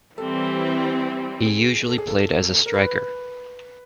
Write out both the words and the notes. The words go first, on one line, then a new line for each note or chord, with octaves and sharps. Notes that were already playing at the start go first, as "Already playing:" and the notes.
He usually played as a striker.
E3 G3 C4 A4
G#4
A4
G#4
A4
A4
A#4
B4